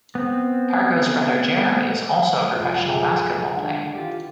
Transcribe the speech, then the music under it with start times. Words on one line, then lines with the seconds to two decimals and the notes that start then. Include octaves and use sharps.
Pargo's brother, Jeremy, is also a professional basketball player.
0.15 B3 C4
2.53 A#1 F#2 F4
2.86 A3 G#4
3.54 D#3 D4 F#5 C#6
3.95 E3 F4 G4 A4